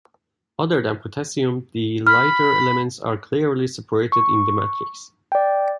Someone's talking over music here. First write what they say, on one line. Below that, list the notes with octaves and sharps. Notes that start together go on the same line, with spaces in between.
Other than Potassium, the lighter elements are clearly separated in the matrix.
B5 F6
C#6
D5 G5